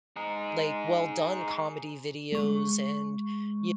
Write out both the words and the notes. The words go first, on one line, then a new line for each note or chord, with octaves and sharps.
like, well done comedy videos. And you know,
D#4 G#4
G#3 C#6